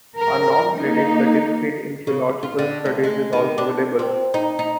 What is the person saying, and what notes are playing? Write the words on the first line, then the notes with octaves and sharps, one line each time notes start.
A non-credit Certificate in Theological Studies is also available.
A#4
A#3 D#4
C#3
F4
D3
D2
G#3
D#3
D4
C4
D#4
D#4